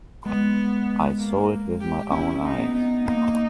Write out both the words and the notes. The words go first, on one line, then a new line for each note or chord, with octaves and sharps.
I saw it with my own eyes.
G#3 B3
A#3
G4
C#4 E4
D#4
B3
D#4
A#3 D#4